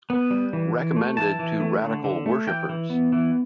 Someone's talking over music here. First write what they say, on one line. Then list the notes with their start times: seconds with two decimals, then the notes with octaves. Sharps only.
Recommended to radical worshippers.
0.10 B3
0.31 G3
0.53 E3
0.74 E3
0.96 A3
1.17 E3 A5
1.39 E3
1.60 A3
1.82 D3
2.04 D3
2.26 A3
2.47 E3 G5
2.69 E3
2.90 B3
3.12 E3